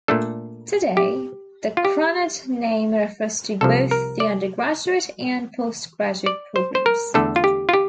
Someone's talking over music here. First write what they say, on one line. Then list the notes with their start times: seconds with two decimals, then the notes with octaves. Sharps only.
Today, the Krannert name refers to both the undergraduate and post-graduate programs.
0.08 A#2 A3 D4 A4
0.97 G4
1.77 F4
1.85 G4
3.61 C2 C3 F3 A4
3.91 A#4
4.20 D5
6.26 D5
6.56 C5
6.75 C5
6.86 A#4
7.14 E2 D3 A3 D4 A4
7.36 F4
7.44 G4
7.69 F4
7.73 G4